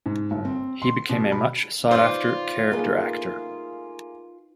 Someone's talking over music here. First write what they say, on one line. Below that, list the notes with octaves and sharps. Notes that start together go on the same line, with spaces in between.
He became a much sought after character actor.
G#2
G1
C4
C6
B2
B5
D#4 F4 B4 C5 D5
A3 A#3 D#4 G#4 B4